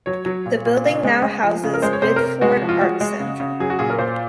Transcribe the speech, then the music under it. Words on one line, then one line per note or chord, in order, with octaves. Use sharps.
The building now houses Bideford Arts Centre.
F#3 C#5
F#3
A#2
A#2
C#3
G#3
G#3
F3
C#3
A#4
G#3 C5
C#5
C3 C5
A#4
C3
G#3 F#4
F3
F4
G#3 F#4
G#3
C#3
C#3
F#3 G#4
F#4
A#2 G#4
A#4
A#2 C5